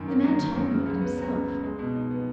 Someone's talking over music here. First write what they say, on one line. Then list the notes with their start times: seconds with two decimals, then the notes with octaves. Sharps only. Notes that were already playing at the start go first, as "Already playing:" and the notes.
The man told me of it himself.
Already playing: F#2 D#3
0.08 A#3
0.24 F#3
0.39 D#3
0.55 F#2
0.71 C#3
0.86 C#2
1.01 B3
1.17 F#3
1.32 C#3
1.48 C#2
1.63 G#3
1.79 B2
1.95 D#4
2.10 B3